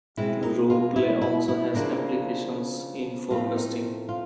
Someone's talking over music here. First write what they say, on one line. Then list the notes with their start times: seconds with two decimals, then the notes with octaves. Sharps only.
Role-play also has applications in forecasting.
0.17 B2 G#3 C4 E4
0.43 D#4
0.70 F4
0.96 E4
1.22 E4
1.48 E4
1.74 C#3 F3 A#3 D4
3.30 A2 F3 A3 C4 F4
3.56 D#4
4.09 F4